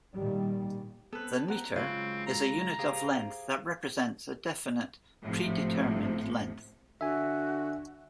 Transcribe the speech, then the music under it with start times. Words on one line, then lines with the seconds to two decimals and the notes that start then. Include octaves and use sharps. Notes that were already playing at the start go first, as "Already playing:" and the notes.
The metre is a unit of length that represents a definite predetermined length.
0.15 A#2 D#3 G3
1.13 B3 C4 A4 B4
1.48 A#4 F#5
1.76 C#3 F#3 G#3 C4 F4 B4 C#6
2.27 A#5
2.79 G4 G#4 C5 F5
5.24 G#1 A2 C3 F3
7.01 D3 F#4 E5 G#5